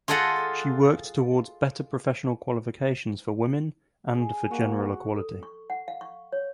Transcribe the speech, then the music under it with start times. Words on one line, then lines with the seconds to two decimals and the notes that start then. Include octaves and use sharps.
She worked towards better professional qualifications for women and for general equality.
0.08 F4 G#4 A4 D#5 F#5
4.15 G#4
4.51 A#3 F#4
5.16 A4
5.43 C#6
5.70 F#5
5.88 F5
6.01 C#6
6.32 C#5